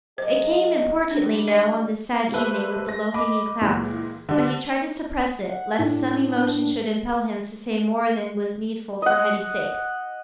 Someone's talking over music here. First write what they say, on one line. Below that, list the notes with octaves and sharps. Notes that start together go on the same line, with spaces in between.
It came importunately now, on this sad evening, with the low-hanging clouds, but he tried to suppress it, lest some emotion should impel him to say more than was needful for Hetty's sake.
F#3 G#4 C5 D#5
D3 D#3 G3 D4
D#5
G3 A#3 A4 B4 C5 E5
A#6
D#5 B5 D6
C#2 A#2 E3 G#3
D3 G3 D4
F#5
A2 D4
D#5 F#5